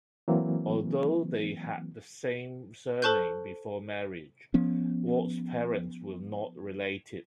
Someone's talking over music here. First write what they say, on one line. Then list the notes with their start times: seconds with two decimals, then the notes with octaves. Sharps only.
Although they had the same surname before marriage, Ward's parents were not related.
0.28 E3 F#3 A#3 C4
3.02 A4 C5 A5 C#6 F#6 G6
4.54 F3 B3 C#4